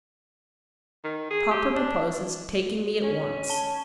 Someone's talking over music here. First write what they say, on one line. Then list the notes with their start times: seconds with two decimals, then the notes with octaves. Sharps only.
"Papa proposes taking me at once."
1.04 D#3
1.30 G#4
1.51 G4
1.76 D4
3.03 C#4
3.50 A5 G7